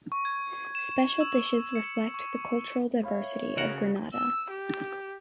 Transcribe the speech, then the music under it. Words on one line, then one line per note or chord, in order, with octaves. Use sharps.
Special dishes reflect the cultural diversity of Grenada.
C#6
G#6
E7
E7
E6
C#7
C#6
C#5 E5 F5 B5
C#3 F#4 A#4 F#5
E6
G4